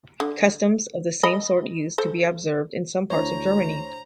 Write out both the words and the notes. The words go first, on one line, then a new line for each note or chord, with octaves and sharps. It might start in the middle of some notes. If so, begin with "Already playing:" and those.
Customs of the same sort used to be observed in some parts of Germany.
D3
D#5 B5
A4 C5
D2 D4 E4 C5 C#5 A#5